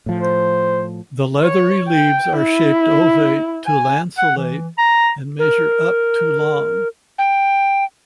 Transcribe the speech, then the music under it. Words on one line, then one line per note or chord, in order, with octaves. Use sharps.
The leathery leaves are shaped ovate to lanceolate and measure up to long.
A2 F3
C5
C#5
G5
E4
G#5
F#5
E3
A#5
A#4
G5